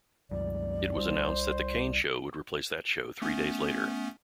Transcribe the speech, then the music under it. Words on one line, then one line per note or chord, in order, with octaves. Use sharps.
It was announced that the Kane show would replace that show three days later.
C2 F#2 F#3 D5
C2 G3 C5
A3 B3 C#4